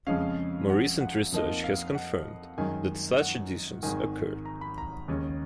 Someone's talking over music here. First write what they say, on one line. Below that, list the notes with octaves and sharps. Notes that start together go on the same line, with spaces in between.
More recent research has confirmed that such additions occurred.
F2 C#3 F3 G#3 C#4 F5
F#5
F#5
F2 F3 A#3 D#4
F5
F#5
F#2 D#3 G#3 G#5
F#5
G#1 G#2 D#3 G#5
A#5
B5
A#5
D#2 C#3 G#3 C#4